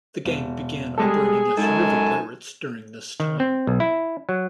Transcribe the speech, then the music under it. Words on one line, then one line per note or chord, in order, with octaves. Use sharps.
The gang began operating as river pirates during this time.
E1
G3 G#3 G#4 A4
F#2 G#3 D#4 A4 G#5
D#3
C4
B1
E4
F#3